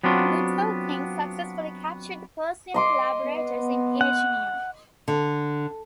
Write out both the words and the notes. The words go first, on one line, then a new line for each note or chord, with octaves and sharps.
The two kings successfully captured the Persian collaborators in Aegina.
F#3 B3 C4 D4 F4 F#4
D#5 C6 D6
B3
F#5
D3